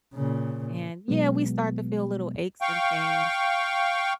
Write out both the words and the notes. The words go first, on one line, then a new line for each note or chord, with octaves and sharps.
And, yeah, we start to feel little aches and pains,
A#2 C#3
B2 F#3 G#3 B3
F5 G5 C#6